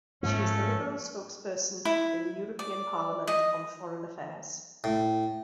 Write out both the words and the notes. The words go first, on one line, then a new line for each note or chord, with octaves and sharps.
She is the liberal spokesperson in the European Parliament on Foreign Affairs.
G#2 F3 A3 A#3 C#4
E4
D5
D#5
A2